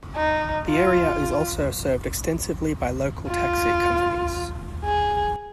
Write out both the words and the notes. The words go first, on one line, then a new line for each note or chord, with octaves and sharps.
The area is also served extensively by local taxi companies.
D#4
F4
F4
G#4